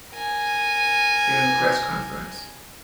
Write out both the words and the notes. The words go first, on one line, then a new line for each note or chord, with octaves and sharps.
During a press conference.
A#4 G#5